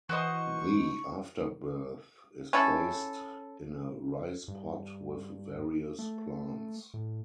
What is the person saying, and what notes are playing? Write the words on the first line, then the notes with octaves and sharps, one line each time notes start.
The afterbirth is placed in a rice-pot with various plants.
E3 F#4 C5 D#5 C#6
C#4 E4 A4
G2
A3
A2